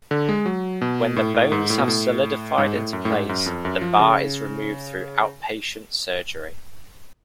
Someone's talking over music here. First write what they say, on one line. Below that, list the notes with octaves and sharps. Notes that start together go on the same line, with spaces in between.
When the bones have solidified into place, the bar is removed through outpatient surgery.
D3
G#3
F#3
B2
A2
A2
G#2
A2
B2
A2
G#2
A2
F#2
A2
G#2
F#2
F2
F#2
F3
C#3